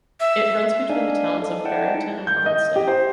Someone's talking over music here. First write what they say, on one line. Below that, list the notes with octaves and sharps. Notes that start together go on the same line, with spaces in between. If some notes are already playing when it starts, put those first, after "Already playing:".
It runs between the towns of Barrington and Barnstead.
E5
D4 D#4 D5 F5 G#5
D#4 A4
D#4 E4 D5 F#5 G5 A5
G6
D#5
G4
C5